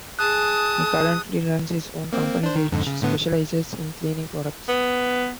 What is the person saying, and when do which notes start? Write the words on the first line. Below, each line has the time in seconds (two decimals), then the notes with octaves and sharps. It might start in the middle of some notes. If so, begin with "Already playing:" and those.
He currently runs his own company which specializes in cleaning products.
0.19 G#4 A5 D#6 F#6
2.13 A#3 C4
2.43 D4 C5
2.56 D#3
2.72 F2 G#2 D3
2.87 C#3
3.02 A2 D3 B3
4.68 B3